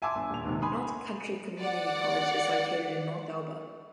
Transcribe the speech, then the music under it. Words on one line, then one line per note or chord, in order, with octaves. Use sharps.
North Country Community College is located in North Elba.
E5 G#5 A5 C6 D6 E6
G1
D#1 F7
D#2 G#2 C3
G#5 B5 C6 D#6
D5 F#5